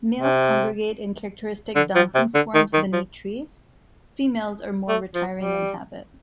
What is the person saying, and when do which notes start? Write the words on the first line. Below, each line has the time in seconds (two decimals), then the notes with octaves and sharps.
Males congregate in characteristic dancing swarms beneath trees; females are more retiring in habit.
0.20 C3
1.76 D3
1.95 F3
2.15 C3
2.34 D3
2.55 D#3
2.74 D#3
2.93 F3
4.89 A3
5.15 F3
5.40 G3